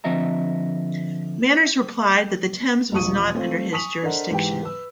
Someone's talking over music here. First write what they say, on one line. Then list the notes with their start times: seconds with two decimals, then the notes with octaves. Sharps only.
Manners replied that the Thames was not under his jurisdiction.
0.04 D3 F3 C4 D#5 E5 A#5
2.92 E1 A#1 F3 C#6 D#6 D#7
3.35 A3 C4 F4
3.72 G#5 C#6 D#6 B6 F7 F#7
4.03 D4 A4 A#4 C5 D#5 F#5
4.31 G#2 E3 G4 G5
4.63 B4 E6